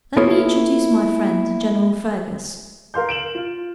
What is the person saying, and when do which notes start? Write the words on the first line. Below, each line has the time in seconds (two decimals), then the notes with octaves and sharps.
Let me introduce my friend, General Fergus.
0.17 A#3 B3 E4 F4 A4 C#5
2.94 A#4 F5 C6 G6
3.09 D7 E7 F#7
3.35 F4